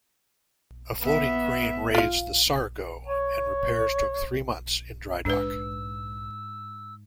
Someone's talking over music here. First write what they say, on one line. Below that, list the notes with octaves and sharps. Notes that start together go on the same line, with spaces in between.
A floating crane raised the "Sargo", and repairs took three months in drydock.
B3 E5
F4 F5
C#5
G#2 D4 B4 E6